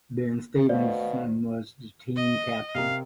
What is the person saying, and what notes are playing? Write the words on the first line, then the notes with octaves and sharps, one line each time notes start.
Ben Stevenson was the team captain.
D2 B2 D#3 A3 C5 D5 F5
D#5
C3 A#4 F5